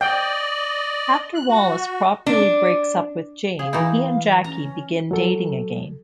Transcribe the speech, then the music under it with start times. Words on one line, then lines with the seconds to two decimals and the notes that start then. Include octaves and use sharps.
After Wallace properly breaks up with Jane, he and Jackie begin dating again.
0.01 D5 D#5 G5
1.35 F#6
1.48 F#4
2.26 D4
3.59 G#4 F5
3.73 E3 D#4 E4
4.44 C#4 A#5
5.11 F#3 A4